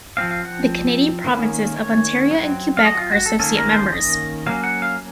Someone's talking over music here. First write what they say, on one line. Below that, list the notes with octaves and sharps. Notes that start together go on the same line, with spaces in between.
The Canadian provinces of Ontario and Quebec are associate members.
F3 C4 F5
F5
F#5
D#3 A#3 C#4
C#5
F#3 C4
F5
D#5
F#4
F4
F#4
A4
D#3 A#3 C#4 A4
A#4
C5
D#5
F#3 A#3 C#4 F5
F#5
F5